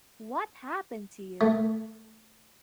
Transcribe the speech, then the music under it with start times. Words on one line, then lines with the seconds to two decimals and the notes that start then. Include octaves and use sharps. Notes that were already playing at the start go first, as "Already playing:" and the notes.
What happened to you?
1.41 A3